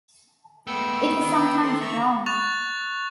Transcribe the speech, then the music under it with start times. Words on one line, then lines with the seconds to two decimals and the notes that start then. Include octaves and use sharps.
It is sometimes wrong.
0.67 G#3 A3 B3 G5 E6
1.22 D#3
1.62 C4 A4 C6
1.81 E5 A#5 C#6
2.26 C#6 F#6 A6 F7